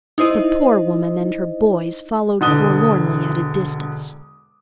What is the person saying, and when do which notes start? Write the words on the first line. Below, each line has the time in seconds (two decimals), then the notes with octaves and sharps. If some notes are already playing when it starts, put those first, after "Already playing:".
The poor woman and her boys followed forlornly at a distance.
0.18 D#4 E4 C5 D#5
2.41 E1 D3 D#6 G7